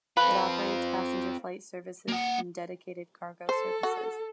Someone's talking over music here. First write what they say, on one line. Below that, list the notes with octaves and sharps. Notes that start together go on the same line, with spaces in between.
It operates passenger flight services and dedicated cargo services.
C4 F4 B4
A#3 F#5
A4 C5
F#4